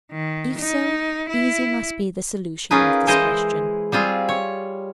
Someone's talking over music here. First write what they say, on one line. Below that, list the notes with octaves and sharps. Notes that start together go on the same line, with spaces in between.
If so, easy must be the solution of this question.
D#3
D#4
E4
C#4 D#4 F4 G#4 A#4 B4
E3 G#3 E4 C5 D#5
G3 C4 F4 G#4
C#5